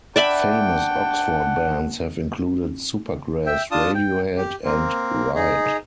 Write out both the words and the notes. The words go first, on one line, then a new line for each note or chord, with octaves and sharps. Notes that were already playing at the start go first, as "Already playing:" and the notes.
Famous Oxford bands have included Supergrass, Radiohead and Ride.
D4 D5 E5 F#5 G5 B5
E5 G5
D4 F4 A5 D#6
G5
G4
A#3 C4
D#4 G#4